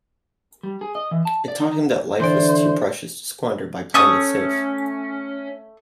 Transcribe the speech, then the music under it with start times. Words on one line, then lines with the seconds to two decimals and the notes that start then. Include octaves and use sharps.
It taught him that life was too precious to squander by playing it safe.
0.63 G3
0.81 G#4
0.95 D#5
1.11 E3
1.25 A5
1.48 D5
1.60 D#4
2.20 D3 E3 C5 D5
3.94 A3 C#4 C#6 D#6